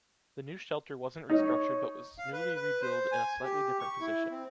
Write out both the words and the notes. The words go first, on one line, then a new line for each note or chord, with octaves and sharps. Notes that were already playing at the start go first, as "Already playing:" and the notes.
The new shelter wasn’t restructured but was newly rebuild in a slightly different position.
D#4 C#5
F5
B4
B4
C5
G#5
G4
C#6
E4
C4